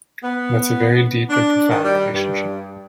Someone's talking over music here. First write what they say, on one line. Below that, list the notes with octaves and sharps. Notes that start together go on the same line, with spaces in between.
That's a very deep and profound relationship.
B3
D4
D#3
G3
G2